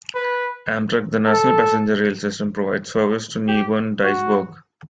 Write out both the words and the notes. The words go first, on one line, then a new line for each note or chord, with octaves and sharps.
Amtrak, the national passenger rail system, provides service to Newbern-Dyersburg.
B4
A4
G4
F#4